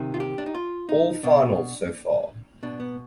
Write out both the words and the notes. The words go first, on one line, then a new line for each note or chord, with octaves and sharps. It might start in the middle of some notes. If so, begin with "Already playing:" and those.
All finals so far.
Already playing: C3 D#3
F4
G4
D4
D#4
F4
D#4
B2 D4
B2 D4
B3